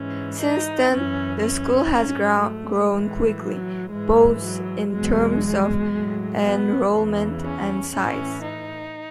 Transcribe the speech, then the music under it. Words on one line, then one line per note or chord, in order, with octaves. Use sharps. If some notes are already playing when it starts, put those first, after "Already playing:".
Since then, the school has grown quickly, both in terms of enrollment and size.
Already playing: G#2 E3 C#4
D#4
F#2 E3 C#4
C#4
G#2 F#3 C#4
A3
A2 E3 G#3
F#3
G#2 E3 G#3
F#3
E2 B2 F#3 G#3
A2 F#3
B3
E2 C#3 E3
C#4
A2 E3 C#4
D#4